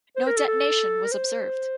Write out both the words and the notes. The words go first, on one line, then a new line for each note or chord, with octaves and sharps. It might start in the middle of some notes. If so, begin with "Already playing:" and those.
No detonation was observed.
C5
A#4
A4
A4
A#4
C5